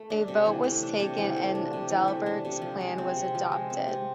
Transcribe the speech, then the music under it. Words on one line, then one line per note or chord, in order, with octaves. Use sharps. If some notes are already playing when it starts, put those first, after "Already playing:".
A vote was taken and Dalbier's plan was adopted.
Already playing: A3
D4
C3
E3
A3
D4
C3
E3
A3
D4
C3
E3
A3
D4
C3
F3
G#3
C4
C3
F3
G#3
C4
C3